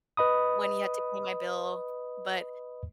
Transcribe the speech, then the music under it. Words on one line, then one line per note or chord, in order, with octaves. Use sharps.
when he had to pay my bill, but
B4 D#5 B5 D#6